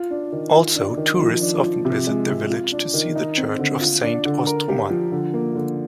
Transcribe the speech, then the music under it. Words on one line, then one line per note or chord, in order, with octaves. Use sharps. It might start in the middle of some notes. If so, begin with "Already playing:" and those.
Also, tourists often visit the village to see the church of Saint-Austremoine.
Already playing: F4
D4
D#3
F4
D4
D#3
F3
D4
F3
C3
G#3
C3
F4
D4
D#3
D#4
C4
D3
F4
D4
D3
A#4
G4
F3
D3
A#3
D3